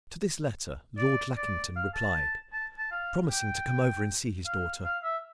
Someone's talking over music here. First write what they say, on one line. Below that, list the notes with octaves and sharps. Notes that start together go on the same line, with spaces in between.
To this letter Lord Lackington replied, promising to come over and see his daughter.
D5
D5
F5
A5
A5
A5
F5
G5
F5
F5
E5